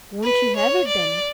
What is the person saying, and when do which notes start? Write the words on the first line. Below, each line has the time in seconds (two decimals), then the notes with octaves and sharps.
'Won't you have it, then?
0.23 B4
0.56 C#5
0.87 D5